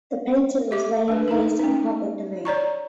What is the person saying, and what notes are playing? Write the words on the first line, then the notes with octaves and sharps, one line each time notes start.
The patent was later placed in the public domain.
G4 E5 D6
A3 D4 B4
D#4 A4 A#4
C#4 D#4
C#5 D5 A#5 C#6